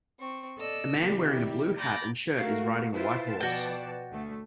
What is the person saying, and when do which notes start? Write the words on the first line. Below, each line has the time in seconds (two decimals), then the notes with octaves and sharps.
A man wearing a blue hat and shirt is riding a white horse.
0.19 C4 C#6
0.58 A4 D5 D#5 E6
1.02 C3 D#3 G3 E4 G4
1.78 A#5 B5 D6 G6 A6 A#6
2.38 A3 F#4 A#4 F5
2.94 E4 F4 B4 C5 A5
3.40 B2 F3 F#4 D5 G5
4.11 D2 A3